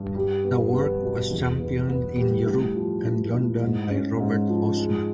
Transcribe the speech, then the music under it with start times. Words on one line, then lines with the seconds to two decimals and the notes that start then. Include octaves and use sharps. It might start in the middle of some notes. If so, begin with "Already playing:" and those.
The work was championed in Europe and London by Robert Hausmann.
Already playing: G2
0.15 G3
0.44 B3
0.73 B3
1.02 B2
1.30 E2
1.59 B3
1.88 B3
2.17 G3
2.46 A2
2.75 F3
3.04 A2
3.33 A2
3.61 G#2
3.90 C#4
4.20 G#2
4.49 F3
4.77 G#3